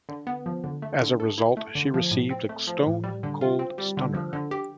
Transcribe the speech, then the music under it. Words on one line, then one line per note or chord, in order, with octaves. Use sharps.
As a result she received a Stone Cold Stunner.
D3
B3
F3
D3
A3
D3
A4
E4
A3
D3
F3
A2
C4
A3
F3
A2
G3
D3
F4
C4
G3
D3
F3
D3
G4